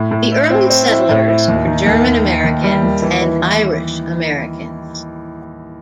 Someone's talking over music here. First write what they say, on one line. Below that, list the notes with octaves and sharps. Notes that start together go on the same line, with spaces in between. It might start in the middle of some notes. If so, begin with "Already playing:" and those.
The early settlers were German-Americans and Irish-Americans.
Already playing: A2
A2
E4
C4
C4
E4
A2
E4
D#2
D#3
D#2
D#2
D#3
D#2
G3
D#2
E3
E3
E3